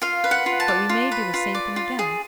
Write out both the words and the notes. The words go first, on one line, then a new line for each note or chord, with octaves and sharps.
But we may do the same thing again.
F4 F5
B4
F#5
F4
A5
D5
F4
B4
F4
D5
F4
G#4